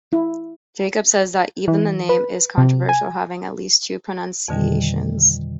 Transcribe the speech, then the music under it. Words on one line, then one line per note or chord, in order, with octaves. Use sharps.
Jacobs says that "even the name" is controversial, having at least two pronunciations.
E4
E3
B4
C3
G#5
F2 B2 D3 D#3 G3